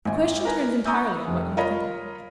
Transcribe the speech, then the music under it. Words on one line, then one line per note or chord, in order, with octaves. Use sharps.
The question turns entirely on what you think of me.
G#1 G#5
A#4 B4 G#5
G#5 A#5 C#6 D#6 E6 G6
F1
F4 A#4 C#5 D#5 A#5 B5